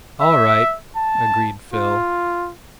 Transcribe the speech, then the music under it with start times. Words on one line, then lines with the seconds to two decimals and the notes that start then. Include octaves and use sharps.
"All right," agreed Phil.
0.21 E5
0.96 A5
1.73 F4